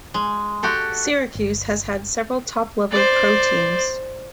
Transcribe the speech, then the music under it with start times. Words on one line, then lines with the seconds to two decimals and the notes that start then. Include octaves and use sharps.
Syracuse has had several top-level pro teams.
0.14 G#3
0.63 F#4 G4 A4
1.35 G1
2.91 C5 D5